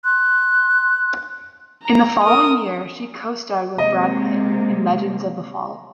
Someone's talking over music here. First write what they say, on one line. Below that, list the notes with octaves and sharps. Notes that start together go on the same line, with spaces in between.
In the following year she co-starred with Brad Pitt in "Legends of the Fall".
C6 F#6
A#5
A#4 D#6
C3 G#3 A#3 D#5